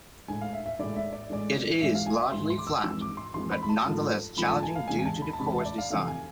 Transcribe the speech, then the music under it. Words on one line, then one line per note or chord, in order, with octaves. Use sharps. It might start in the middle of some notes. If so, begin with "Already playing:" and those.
It is largely flat but nonetheless challenging due to the course design.
A2 G#3 G#5
F5
E5
E5
A2 G#3 D5
E5
D5
A2 G#3 D5
G#2 E3 G#3 E5
F5
G#5
E5
G#2 E3 G#3 C6
C6
D6
E6
F2 E3 G#3 E6
D6
C6
F2 E3 G#3 C6
B5
B5
A5
G#2 F3 A3
G#2 F3 A3 B5
A5
G#5
F5
E2 C3 G#3 G#5
G#5
A5
B5
A5
E2 C3 G#3 B5
A5
E5
D5
F5
F2 C3 E3 A3 F5
G#5